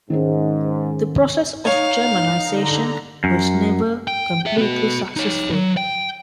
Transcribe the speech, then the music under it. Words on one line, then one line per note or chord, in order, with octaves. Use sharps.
The process of Germanisation was never completely successful.
G#2 D#3 C#4 D#4
D#4 C#5 F5 G#5
D3 A#5
F#2
G5
G#4 E5
B3 F#4
D#4 C#5
D#2 F#3
G5